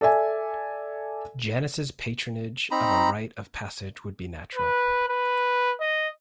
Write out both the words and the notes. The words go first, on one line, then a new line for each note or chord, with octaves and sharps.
Janus's patronage of a rite of passage would be natural.
A4 D5 E5 G#5
C4 D#4 A#5 B5
B4
B4
D#5